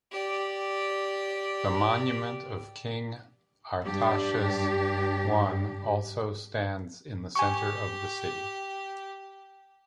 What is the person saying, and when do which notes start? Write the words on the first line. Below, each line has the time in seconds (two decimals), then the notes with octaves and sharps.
The monument of King Artashes I also stands in the center of the city.
0.12 G4 D5
3.85 G2 D4 G4
7.35 G4 G#5 C#6